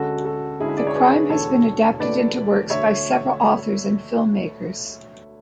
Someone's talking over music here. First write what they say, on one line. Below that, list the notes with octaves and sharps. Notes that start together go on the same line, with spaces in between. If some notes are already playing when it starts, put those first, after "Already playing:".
The crime has been adapted into works by several authors and filmmakers.
Already playing: D2 D3 G#3 C#4 F#4 A4
F#4 A4
D2 D3 G#3 C#4 E4 G#4
E5
D5
C#5
G#4 B4
E1 E2 D3 A3 A4 C#5
E1 E2 D3 A3 B4 D5
D2 D3 A3 C#5 E5